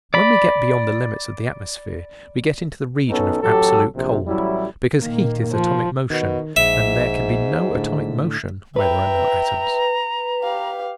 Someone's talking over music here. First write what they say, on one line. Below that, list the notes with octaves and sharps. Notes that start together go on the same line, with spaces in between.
When we get beyond the limits of the atmosphere we get into the region of absolute cold, because heat is atomic motion, and there can be no atomic motion where there are no atoms.
D5 B5
B1 B3 C#4 D#4 A4
A1 F#3 G4 A4
A#1 C3
A1 F#3 G3 E4
A#2 D#3 A#3
F3
B2 D#3
A#1 G#2 E5
A2 D3
B4 E5 G5 A#5
G4 F5